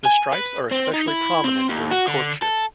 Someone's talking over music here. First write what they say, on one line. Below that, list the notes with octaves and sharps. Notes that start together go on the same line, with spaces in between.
The stripes are especially prominent during courtship.
G#5
B4
C4
D#4
E4
C4
D#2
F#4
D3
A4